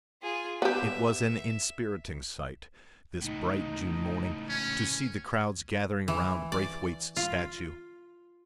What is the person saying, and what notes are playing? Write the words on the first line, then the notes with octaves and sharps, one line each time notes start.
It was an inspiriting sight, this bright June morning, to see the crowds gathering round Braithwaite's statue.
F4 G#4
B3 G4 E5
C#2 A2 D#4
C#4
E3
D5
F4